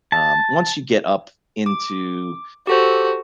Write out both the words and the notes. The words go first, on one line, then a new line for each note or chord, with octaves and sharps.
Um, once you get up into
A5
D6
F#4 G4 A4 C5